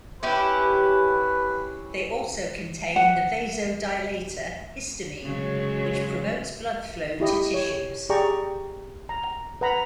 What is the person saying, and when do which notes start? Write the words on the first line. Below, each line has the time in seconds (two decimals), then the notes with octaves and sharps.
They also contain the vasodilator histamine, which promotes blood flow to tissues.
0.23 C#4 E4 G4 B4
2.96 F#5
5.24 C#3 F#3 G#3
7.20 E4 G4 D#5
7.54 C#5
8.09 G4 G#4 D5 G5 A#5 C#6
9.09 A#5
9.61 B4 F#5 A#5 B5